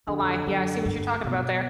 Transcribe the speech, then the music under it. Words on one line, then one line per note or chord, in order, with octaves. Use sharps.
Oh my, yeah, I see what you're talking about there.
F2 D3
F#2
G2
B2